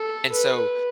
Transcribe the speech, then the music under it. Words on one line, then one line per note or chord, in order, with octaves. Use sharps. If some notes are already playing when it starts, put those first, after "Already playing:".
And so,
Already playing: A4
B4